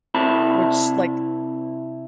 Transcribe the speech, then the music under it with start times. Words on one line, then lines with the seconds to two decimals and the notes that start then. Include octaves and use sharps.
which like
0.14 C3 E4 A5 B5